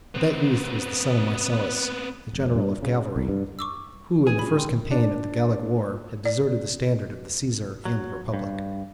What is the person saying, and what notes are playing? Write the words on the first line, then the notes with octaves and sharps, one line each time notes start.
But that youth was the son of Marcellus, the general of cavalry, who, in the first campaign of the Gallic war, had deserted the standard of the Caesar and the republic.
B3 C4
F1
G2
C#3
C2
G2
C#6 D6 E6
E3 G#4
A#2 G#3 C#4 B5
G5 C6
D4
D5
F#3
G2